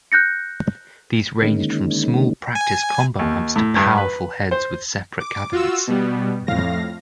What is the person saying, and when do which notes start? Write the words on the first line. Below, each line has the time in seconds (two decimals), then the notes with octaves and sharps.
These ranged from small practice combo amps to powerful heads with separate cabinets.
0.12 F#6 G6 A#6 C#7
1.42 D3 D#3 G#3 A#3 C#4 D#4
2.55 G#5
3.19 D#2
3.56 A2
3.76 G2
3.98 B4
4.51 C5
5.20 D6
5.52 F4 F#4 E6
5.87 B2 G3 B3
6.47 F2 A2 F5 A#6